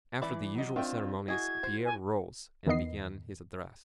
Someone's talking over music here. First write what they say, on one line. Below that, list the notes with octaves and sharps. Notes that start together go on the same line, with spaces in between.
After the usual ceremonies Pierre rose and began his address.
E3 E4 D5 B5
F#3 D#5
D#3 C4 D4 F4 E5 G5
E4 F#4 G#4 D#5 G#6
C5
G#5
E2 D#3 B3 D#5 C7